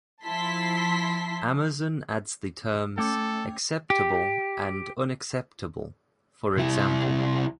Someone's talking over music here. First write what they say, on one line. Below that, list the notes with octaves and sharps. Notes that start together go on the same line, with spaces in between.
Amazon adds the terms "acceptable" and "unacceptable", for example.
F3 E4 A5 C6 B6
A3 C#4 A4 G5 D6
G4
C2 E4